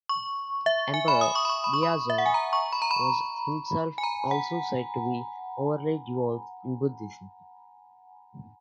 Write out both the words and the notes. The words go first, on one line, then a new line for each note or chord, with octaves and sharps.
Emperor Daizong was himself also said to be overly devout in Buddhism.
C#6
E5
G#5
B5
D#6
C#6
B5
C#6
B5
C#6
B5
E5
F#5
G#5
A#5
C#6
B5
A#5
B5
G#5
A#5
F#5